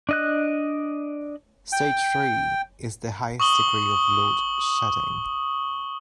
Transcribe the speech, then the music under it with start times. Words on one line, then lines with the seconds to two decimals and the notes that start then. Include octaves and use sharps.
Stage three is the highest degree of load shedding.
0.09 D4 D#5 F#6
1.72 G5
3.40 C#6 D#6 F#7 G7